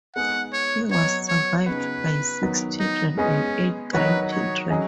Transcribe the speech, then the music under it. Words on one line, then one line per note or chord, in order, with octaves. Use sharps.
He was survived by six children and eight grandchildren.
G#3 B3 D#4 G#4 F#5
C#5
F#3 B3 F#4 C#5 D#5
C#5
C#3 B3 D#4 F#4 B4
D#3 F#3 B3
D#4
G#3 B3 C#4 G#4 D#5
D#3 F#3 D#4 F#4 B4 C#5
C#5
F#3 C#4 G#4 D#5